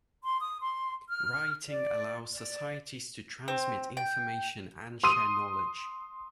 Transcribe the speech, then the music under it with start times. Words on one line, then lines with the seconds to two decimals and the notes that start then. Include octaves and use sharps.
Writing allows societies to transmit information and share knowledge.
0.24 C6
0.41 D#6
0.61 C6
1.09 F6
1.69 D5
2.34 D5
3.48 C4
3.97 G5
5.04 C6 D#6 D#7